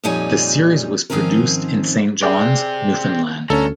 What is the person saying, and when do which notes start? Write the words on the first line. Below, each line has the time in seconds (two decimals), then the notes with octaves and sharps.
The series was produced in Saint John's, Newfoundland.
0.04 F2 A#2 G3 D#4 C#5 G#5
1.10 G#2 D#3 F3 C4 C#4 A#4
2.23 C4 G4 G#4 D5
3.50 D2 G2 C#4 A4 A#5